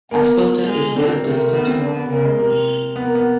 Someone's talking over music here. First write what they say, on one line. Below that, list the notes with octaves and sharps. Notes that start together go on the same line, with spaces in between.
Aspelta is well attested.
A#3 B3
G#3
D3 C4
A#3
C3 A3
A#3
A3
D#3 B3
C4
D3 A#3
B3
C#3 A#3
G#3
C3 A#3
B3
A#3
B3